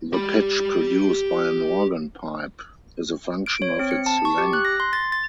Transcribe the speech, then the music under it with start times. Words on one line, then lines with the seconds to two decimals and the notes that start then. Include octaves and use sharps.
The pitch produced by an organ pipe is a function of its length.
0.13 G4 B5
3.46 D7
3.62 C#5
3.79 C4
3.91 C#7
4.06 A5
4.25 C#6
4.38 G4
4.53 F#6
4.65 A#6
4.80 C6
4.93 A6
5.12 A6